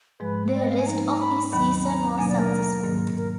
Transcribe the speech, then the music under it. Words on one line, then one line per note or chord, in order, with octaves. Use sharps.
The rest of his season was successful.
G#2 F3 G#3 B4
D5
D#5
F5
G#5
F3 A#3 D#4 A#5
A#5
B5
D#2 D#3 F#3 B5
A#5
B2 F#3 A#3 D4 G#5
D5
A#4
G#2 D#3 F#3 A#3
A#4